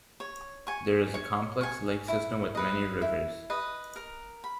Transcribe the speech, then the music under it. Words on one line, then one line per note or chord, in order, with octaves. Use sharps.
There is a complex lake system with many rivers.
C#5
G#5 C#6
C#5
G#5 C#6
E4
B4 D#5
E4
B4 D#5
A#4
B5